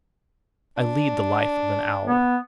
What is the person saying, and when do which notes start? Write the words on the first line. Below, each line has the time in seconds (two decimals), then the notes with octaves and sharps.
'I lead the life of an owl.'
0.77 D4
2.07 B3